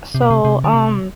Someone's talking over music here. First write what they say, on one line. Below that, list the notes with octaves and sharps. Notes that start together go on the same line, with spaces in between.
so, um,
C3
B2
C3
C3
D3
C3